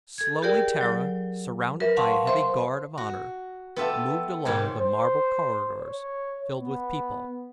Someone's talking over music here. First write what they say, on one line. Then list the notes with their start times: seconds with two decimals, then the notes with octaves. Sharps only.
Slowly Tara, surrounded by a heavy guard of honor, moved along the marble corridors filled with people.
0.18 A4 G#6
0.42 G4 G#4 A#4 D5 G5
0.81 F#3
1.80 A#4 B4 E5
1.97 F5 F#5 A5 C6 C#6
2.27 C5 E5 C6
2.98 F#4
3.76 B3 F4 G4 A4 E5
4.45 G#2 D#3 G4 C#5
4.81 C5
5.81 C#5
6.60 B3